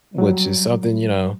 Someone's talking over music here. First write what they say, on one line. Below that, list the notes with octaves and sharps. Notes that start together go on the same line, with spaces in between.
which is something, you know,
F#3 G3